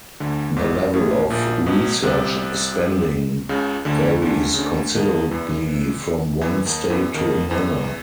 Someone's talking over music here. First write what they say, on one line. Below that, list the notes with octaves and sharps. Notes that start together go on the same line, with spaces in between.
The level of research spending varies considerably from one state to another.
D2 D3
G#1 G#2
A1 A2
A#1 A#2
B1 B2
C2 C3
C#2 C#3
D2 D3
D2 D3
C#3
D2 D3
D#2 D#3
E2 E3
E2 E3
D#2 D#3
E2 E3
D#2 D#3
E2 E3